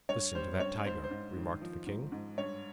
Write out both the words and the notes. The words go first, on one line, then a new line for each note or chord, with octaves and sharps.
'Listen to that tiger!' remarked the king.
G2 C#5
G3 C5
G2 C#5
G#2 C5
C5
G#2
D#3
F3
G#2
G#2
G2 C#5